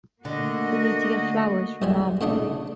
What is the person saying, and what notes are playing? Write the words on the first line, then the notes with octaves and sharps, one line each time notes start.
We need to get flowers for Mom.
D3 A3 A#3 F#4 D#5
B1 G3 G#5
A2 C#3 D4 D#4